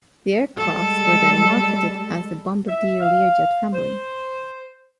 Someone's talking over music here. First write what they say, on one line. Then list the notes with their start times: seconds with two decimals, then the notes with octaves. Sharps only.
The aircraft were then marketed as the "Bombardier Learjet Family".
0.57 G3 G#3 A4
2.68 E5
3.01 F5
3.74 C5